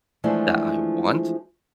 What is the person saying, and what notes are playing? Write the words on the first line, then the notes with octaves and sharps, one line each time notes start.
that I want
E3 F3 G#3 A3 D4 E4